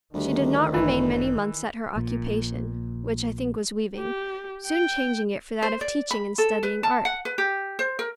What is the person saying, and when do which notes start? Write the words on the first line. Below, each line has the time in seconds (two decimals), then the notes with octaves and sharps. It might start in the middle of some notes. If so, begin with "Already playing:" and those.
She did not remain many months at her occupation,--which I think was weaving,--soon changing it for that of teaching and studying art.
0.14 D2 D#3 G3 D4 G4
0.74 G1 F#2 E3
1.96 A#1 A#2
3.97 G4
4.67 G5
5.63 C5
5.81 D5
6.11 B5
6.38 A4
6.63 B4
6.83 A5
7.05 F#5
7.25 B4
7.38 G4
7.79 C5
7.99 A#4